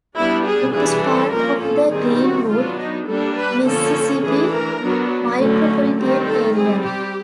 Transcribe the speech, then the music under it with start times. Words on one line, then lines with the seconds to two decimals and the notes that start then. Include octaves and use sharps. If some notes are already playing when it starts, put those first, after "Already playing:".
It is part of the Greenwood, Mississippi micropolitan area.
0.16 G3 B3 D4 E4
0.46 G#4
0.74 E3 G3 B3 D4 G#4
1.04 A4
1.32 F3 A#3 C#4 A#4
1.61 A4
1.90 D#3 G3 C4 G#4
2.19 F#4
2.48 F#3 B3 D4 F4
2.78 D#4
3.06 G3 A#3 D4 A4
3.36 B4
3.64 D3 F3 A#3 C#4 A4
4.22 E3 A3 D4 G#4
4.51 A#4
4.81 F#3 B3 D4
5.39 D3 F#3 A3 C#4
5.98 D#3 G3 C4
6.27 A4
6.55 G3 C4 G#4
6.84 G4